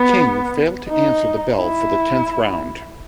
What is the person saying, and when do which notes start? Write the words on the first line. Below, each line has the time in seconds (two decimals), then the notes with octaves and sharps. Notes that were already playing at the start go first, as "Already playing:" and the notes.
King failed to answer the bell for the tenth round.
Already playing: B3
0.90 D#4
1.59 E4